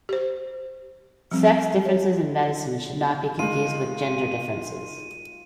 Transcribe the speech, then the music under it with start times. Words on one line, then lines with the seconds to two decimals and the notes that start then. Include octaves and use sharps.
Sex differences in medicine should not be confused with gender differences.
0.09 G4 C5
1.31 F3 G3 C4
1.85 C#5
3.39 D#3 G#3 F4 D#7